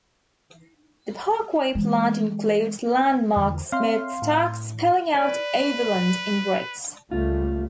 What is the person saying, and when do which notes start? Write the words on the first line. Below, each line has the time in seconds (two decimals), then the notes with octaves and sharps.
The Parkway plant included landmark smokestacks spelling out "Overland" in bricks.
1.75 E3 G#3
3.36 E2 D3
3.72 C4 C#5 E5 F5 C6
4.22 A2
5.15 B4 D5
7.12 C#2 G3 A3 F4